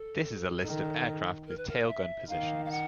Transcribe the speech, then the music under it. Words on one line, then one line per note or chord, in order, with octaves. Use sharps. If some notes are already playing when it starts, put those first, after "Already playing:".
This is a list of aircraft with tail gun positions.
Already playing: A4
D#3
A#4
B4
A#4
E5
D#3 F5
F5
F#5